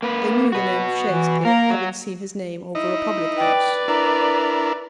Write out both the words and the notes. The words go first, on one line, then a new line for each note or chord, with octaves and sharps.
They knew the name of Shakespeare, having seen his name over a public-house.
A#3 B4
F#4 B4
E3
A#3 A#4
F#3
D#4 E4 D#5
B4 D5 G5
D4 E4 A#4 A#5